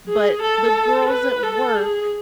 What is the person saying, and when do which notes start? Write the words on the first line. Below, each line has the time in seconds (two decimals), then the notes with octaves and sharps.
But the girls at work
0.08 G#4
0.42 A4
1.09 B4
1.43 A4
1.76 G#4